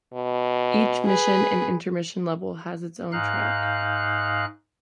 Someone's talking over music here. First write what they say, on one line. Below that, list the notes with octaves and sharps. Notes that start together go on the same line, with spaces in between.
Each mission and intermission level has its own track.
B2
G#4 B4
G#2 D#4 F5 F#6